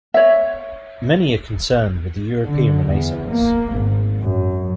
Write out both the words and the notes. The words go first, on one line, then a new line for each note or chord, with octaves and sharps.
Many are concerned with the European Renaissance.
C#5 E5
D3
E2
A#3
G#1
F#2